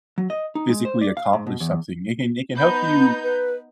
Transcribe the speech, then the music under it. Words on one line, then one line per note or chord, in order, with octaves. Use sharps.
physically accomplished something. It can it can help you
F#3
D#5
D#4
G#3
C5
D5
F5
G#2
B2
E2
B3 D#4 B5 G6
B4